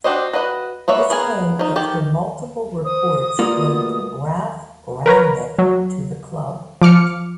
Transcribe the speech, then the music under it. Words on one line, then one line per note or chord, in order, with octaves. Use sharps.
This came after multiple reports linked Ralf Rangnick to the club.
D4 F#4 G4 C5 D#5
F#4 B4 D#5 F#5
A#3 B3 C#5 E5
B3 G#4 A#4 G#5
F3 D#4
D#3 G4 A4
C5 D#6
B2 G3 A3 A#3 F4
A#4 B4 C#5 A#5
F#3
F3 D6 F6 C#7